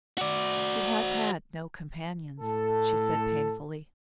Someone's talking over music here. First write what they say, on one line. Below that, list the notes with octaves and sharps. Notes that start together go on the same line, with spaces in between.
"She has had no companions," she said painfully.
F#4 D5
A2 A4